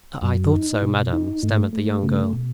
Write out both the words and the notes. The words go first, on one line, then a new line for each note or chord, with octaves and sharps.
"I thought so, madame," stammered the young girl.
F#2 F#3
D#4
B2
D#4
G#2 A3
A3
C#3 A3
B2